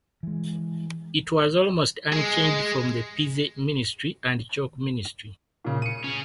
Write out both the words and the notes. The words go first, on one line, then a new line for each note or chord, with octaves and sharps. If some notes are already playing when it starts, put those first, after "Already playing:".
It was almost unchanged from the Pizzey Ministry and Chalk Ministry.
E3 G#3
G#3 G#4
A#2 C#3
C#7 D#7
C#4 G#4